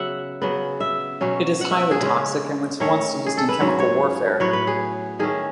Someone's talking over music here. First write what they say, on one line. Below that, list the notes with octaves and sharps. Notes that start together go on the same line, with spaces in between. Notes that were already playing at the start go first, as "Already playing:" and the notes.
It is highly toxic and was once used in chemical warfare.
Already playing: C#3 F#3 B3 E5 F#5
C#3 F#3 B3
E5
B2 F#3 C#4
F#5
E5
G#4
C#3 G#3 C#4
D#3 A3 C#4 C#5
G#4
A4
B4
G#2 F#3 C#4 C#5
C#5
A2 F#3 B3 C#5
B4
G#4
D#3 A3 C#4 G#4